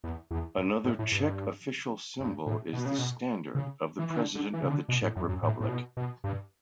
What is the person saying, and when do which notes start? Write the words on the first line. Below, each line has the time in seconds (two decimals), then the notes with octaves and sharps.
Another Czech official symbol is the Standard of the President of the Czech Republic.
0.04 E2
0.31 E2
0.58 F#2
0.84 A2
0.99 A2
1.12 G2
2.20 G2
2.46 A2
2.73 B2
2.85 C#3
2.98 B2
3.55 C#3
3.99 E3
4.10 E3
4.16 D3
4.35 D3
4.53 E3
4.63 C#3
4.71 D3
4.89 B2
5.03 A2
5.16 F#2
5.29 F#2
5.43 A2
5.60 A2
5.69 B2
5.97 B2
6.24 G2